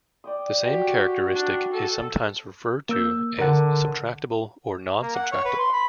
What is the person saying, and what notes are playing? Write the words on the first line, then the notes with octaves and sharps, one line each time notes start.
The same characteristic is sometimes referred to as subtractable or non-subtractable.
D5 G5 D#6
F#4 G4 G5
D4
A4
A#3 E6 G6
D3 A#4 F#5
A#3
F#5
C#5
B4
C6
B5